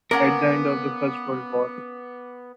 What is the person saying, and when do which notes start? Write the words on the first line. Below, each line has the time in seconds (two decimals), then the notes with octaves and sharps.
At the end of the First World War.
0.11 A#3 B3 C#4 A#4 F#5 D6